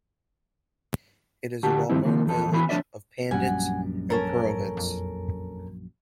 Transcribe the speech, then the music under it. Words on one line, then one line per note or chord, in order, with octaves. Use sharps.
It is a well-known village of Pandits and Purohits.
D2 F#4 G4 F#5 A5
G2 D#3 F3 G3 C4 E4
C2 D#3 F3 A#3
E2 F3 A4
E3 B3 F#4 G#5 B5
F3 D4 C#5 D5 E5
A#1 F#2 G3 F#5 G#5
C#4 A4 A#4
F2